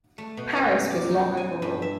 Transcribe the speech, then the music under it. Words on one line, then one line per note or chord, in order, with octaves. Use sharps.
"Paris" was long overall.
A3
B2
F#2
D5
D#4
G#5
G2
E5